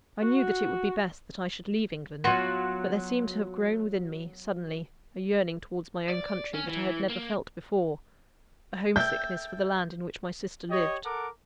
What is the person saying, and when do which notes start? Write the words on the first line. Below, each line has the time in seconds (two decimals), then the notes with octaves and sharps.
I knew that it would be best that I should leave England; but there seemed to have grown within me, suddenly, a yearning towards my own country that I had never felt before--a home-sickness for the land in which my sister lived.
0.22 F#4
2.24 F#3 B3 F4 F#4
6.10 D5
6.55 C#4
6.69 E3
7.09 A#3
8.96 A4 E5 G5 G6
10.70 G4 C#5 D#5
11.05 A4 A#4 F#5 D6